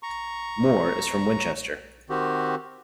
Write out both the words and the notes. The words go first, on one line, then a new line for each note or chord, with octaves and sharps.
Moore is from Winchester.
A#5 C#6
D#3 C4 F#4 G4